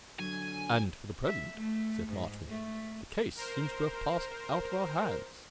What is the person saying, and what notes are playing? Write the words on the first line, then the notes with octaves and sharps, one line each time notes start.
"And, for the present," said Marchmont, "the case seems to have passed out of our hands."
D3 F#3 G#5
E5
A3
G#2
A3
A#4 C5